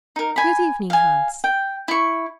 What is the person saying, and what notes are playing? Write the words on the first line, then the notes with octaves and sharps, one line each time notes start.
'Good evening, Hans.
D#4 A#4
G#5 B5
F5 G#5
G5
E4 C#6